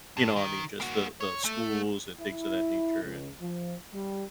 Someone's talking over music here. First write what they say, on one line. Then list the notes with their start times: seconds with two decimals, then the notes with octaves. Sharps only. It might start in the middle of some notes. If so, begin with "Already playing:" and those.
you know, I mean, just the the schools and things of that nature, and,
0.17 G2
0.36 D#3
0.80 A#3 F#4
1.21 C#5
1.45 A3
2.21 E4
3.02 C#2
3.41 F3
3.94 G3